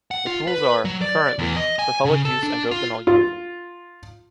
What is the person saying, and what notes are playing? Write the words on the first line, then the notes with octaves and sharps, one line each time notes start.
The pools are, currently, for public use and open all year.
F#5
F4
B4
F#3
D5
E2
D#5
G#5
C#3
A4
D4
F4
F4